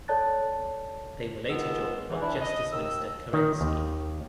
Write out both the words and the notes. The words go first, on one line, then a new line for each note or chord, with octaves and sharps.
They were later joined by Justice Minister Kerensky.
A4 C#5 D5 A5 F#6 A6
C#2 G#2 D#3 B3 F4 E6
E2 G#2 B2 E3
E3 D4 E4
D#5
D#2 E6
D#3
D#2